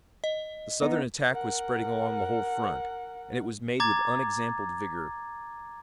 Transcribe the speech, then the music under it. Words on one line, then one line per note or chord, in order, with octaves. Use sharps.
The Southern attack was spreading along the whole front, and it was made with unexampled vigor.
D#5
B3 D#4
A#4 F#5
A#5 D6 G#6 A6